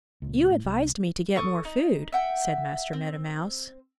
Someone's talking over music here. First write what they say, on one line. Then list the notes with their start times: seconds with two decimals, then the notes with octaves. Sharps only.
"You advised me to get more food," said Master Meadow Mouse.
0.22 C#2 A#2
0.50 A2
0.65 C2
1.36 A4 C#6 D#6
1.65 D#4
2.13 E5 F#5 G5
2.93 C4